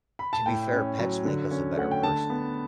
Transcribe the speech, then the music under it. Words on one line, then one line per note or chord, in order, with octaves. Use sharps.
To be fair, pets make us a better person.
B5
A5
A2 G5
C#4
F#3
D3
C#4
A3 F#5
G5
D3 A5
B3